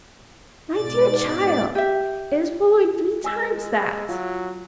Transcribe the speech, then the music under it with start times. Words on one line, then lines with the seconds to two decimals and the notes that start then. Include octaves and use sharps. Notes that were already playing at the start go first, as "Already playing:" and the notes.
"My dear child!--it is fully three times that."
0.74 G#2 B2 D5 A6
1.75 G4 E5
3.24 G#3 G#5 E6
4.09 F#3 F4